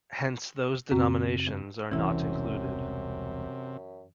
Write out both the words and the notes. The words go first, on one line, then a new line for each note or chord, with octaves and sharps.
Hence those denominations are not included.
F#2 C#3 C4 F#4
E1 C2 F#2 C3 E3 C#4 E4